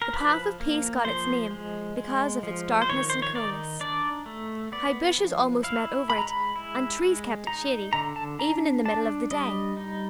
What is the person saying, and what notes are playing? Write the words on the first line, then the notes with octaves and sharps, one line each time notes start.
The Path of Peace got its name because of its darkness and coolness. High bushes almost met over it, and trees kept it shady, even in the middle of the day.
A#4
F3 B4
A#3
F3 C5
G#3
G#3
F3
C5
D#3 C#5
C5
C#5
D#4 D5
D4 D5
A3
B3 D5
F3
E4 F5
G#3 B5
A#5
B5
E4
G#3
D#4 A#5
D3 A#5
A5
D4 A#5
D4 A5
G3 D#5
D#4